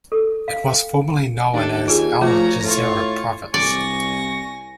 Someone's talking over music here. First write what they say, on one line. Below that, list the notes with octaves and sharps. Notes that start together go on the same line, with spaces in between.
It was formerly known as Al-Jazira province.
A4
F5
G5
D#2 D4 A4
F4 G#4 G#5
F3 A3 F#4 C#5 A#5
A2 F4 C#5
C2 D5 G#5 C#6 A#6